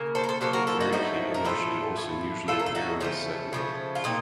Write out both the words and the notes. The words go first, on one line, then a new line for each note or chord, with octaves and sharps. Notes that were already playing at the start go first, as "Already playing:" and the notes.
Mary-Kate and Ashley Olsen usually appear in this segment.
Already playing: C#3 A#3
A4 C5
A#4
A4 C5
C#3 F#3 A#3 A4 C5
F#4 A#4
F4 A4
D#4 F#4
A2 F3 A3 D#4 F#4
A#4
A2 F3 A3 F4 A4
A2 A3
A2 A3 F4 A4
A#4
A4
D#4 F#4
C#3 F3 A3 C#4 F4
C#3 F3 A3
F4
A#2 C4 D#4